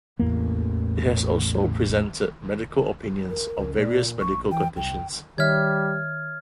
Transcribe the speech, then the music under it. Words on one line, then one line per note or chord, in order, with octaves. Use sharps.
It has also presented medical opinions of various medical conditions.
A1 E2 A#3
A#4
C#2
A#2 D5
A#1 C#6
E3 G5
C2 G5
D#3 G3 C#5 E5 F6 G#6